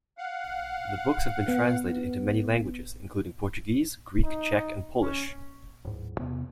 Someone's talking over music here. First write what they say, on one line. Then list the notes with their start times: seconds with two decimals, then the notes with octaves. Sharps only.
The books have been translated into many languages, including Portuguese, Greek, Czech and Polish.
0.18 F5 F#5
1.48 B3
4.24 D#4
5.01 C#4
5.85 D1 G#2
6.19 E2 C3 B3